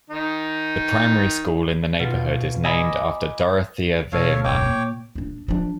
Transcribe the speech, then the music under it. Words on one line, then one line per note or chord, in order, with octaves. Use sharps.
The primary school in the neighbourhood is named after Dorothea Viehmann.
D#3 D#4
B2 F4
D#5 G#5 A#5 B5 D6 E6
B2 A4 C#5 F5
E1 F#2 C#5 G5 D6
A#2
D#1 D4
F3 D4